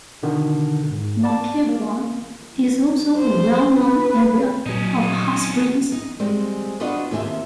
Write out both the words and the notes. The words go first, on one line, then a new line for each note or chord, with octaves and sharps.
Moncagua is also a well known area of hot springs.
B2 D3 D#3
G#2
D5 A5
A#3
C5
B4
A#2 F#3 C#4 D#4
D#4
G3 G#3 C4 C5
B3 D4 F4 F#4 C5 D#5
D#2 C3 F4 G#4 E5